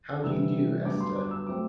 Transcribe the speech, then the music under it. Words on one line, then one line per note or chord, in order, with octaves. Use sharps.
How do you do, Esther?
E2 C3 G3 B3 E6
G2 D3 F#3 B3 D6
C6
D6
E6
F#3 A3 C4 D6